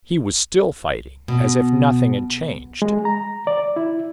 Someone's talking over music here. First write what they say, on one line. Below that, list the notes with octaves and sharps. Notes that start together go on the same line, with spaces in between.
He was still fighting, as if nothing had changed.
B2
G#3
A#5
D5
E4